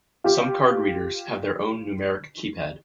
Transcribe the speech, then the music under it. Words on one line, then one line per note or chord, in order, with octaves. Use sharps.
Some card readers have their own numeric keypad.
F4 G4